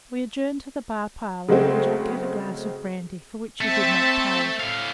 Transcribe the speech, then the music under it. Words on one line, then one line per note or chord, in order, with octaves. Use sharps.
We adjourned to the bar parlour, and Jack had a glass of brandy, for which he did not pay.
C#3 F#3 G#3 A3 C4
A3 C4 E5 A5
A2 F5